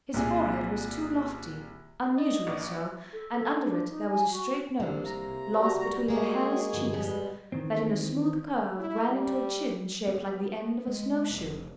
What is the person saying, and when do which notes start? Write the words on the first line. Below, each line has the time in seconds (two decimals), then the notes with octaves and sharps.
His forehead was too lofty--unusually so--and under it there was a straight nose, lost between the hairless cheeks, that in a smooth curve ran into a chin shaped like the end of a snow-shoe.
0.14 C2 A#2 G#4
2.17 D5 D#5
2.47 A#1
3.12 A4
3.37 A4
3.65 D4
3.89 D#4
4.08 G#5
4.31 F#4
4.80 C2 C3 A#3 D4
5.06 A#5
5.55 G3 F#4
6.08 G#3 A#3 F#4 G#4
6.73 G1 F2
6.93 B2 G3 G#3
7.52 D#3 E3 C4
8.80 E4
9.09 G3
10.08 B3
10.87 G#3
11.31 F1